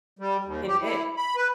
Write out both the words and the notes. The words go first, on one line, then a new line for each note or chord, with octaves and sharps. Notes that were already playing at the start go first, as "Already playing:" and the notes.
And It.
G3
D#2
G4
E4
B5
B4